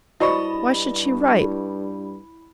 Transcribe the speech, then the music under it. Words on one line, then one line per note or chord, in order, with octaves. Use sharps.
Why should she write?
G2 E4 F#4 C5 D5 D#5 B5 C#6